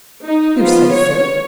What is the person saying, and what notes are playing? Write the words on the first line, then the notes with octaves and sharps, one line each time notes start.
"Who says so?"
D#4
F3 G#3 B3 F4
C#5